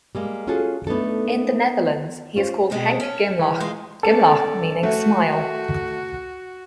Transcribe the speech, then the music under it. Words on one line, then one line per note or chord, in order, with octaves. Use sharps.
In the Netherlands, he is called "Henk Glimlach", "glimlach" meaning "smile".
G3 G#3 A#3
C#4 F4 F#4 G#4 A4
A3 B3 D4 D#4 A4
C#4 F4 C5
B2 G#3 C4
C#4
E3
G#3 F4
C#4 A4 D5
A3 F#4